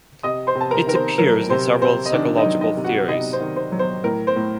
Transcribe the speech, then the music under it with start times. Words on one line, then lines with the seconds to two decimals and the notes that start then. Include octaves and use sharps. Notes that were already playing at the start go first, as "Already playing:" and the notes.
It appears in several psychological theories.
0.23 C3 D#5 D#6
0.47 C5 C6
0.55 C3
0.61 A5
0.71 A#4 A#5
0.87 D#3 A#4
0.95 C5
1.18 F#3 A#4
1.50 C3 C5
1.82 C3 C5
2.06 D#5
2.13 D#3 D4 D5
2.38 D#4 D#5
2.46 F#3
2.61 D#4 D#5
2.77 C3
2.84 F#4 F#5
3.09 C3 D#4 D#5
3.33 C5
3.40 D#3
3.56 C5
3.72 F#3
3.79 C5
4.04 A2 A#4
4.27 C5
4.36 A2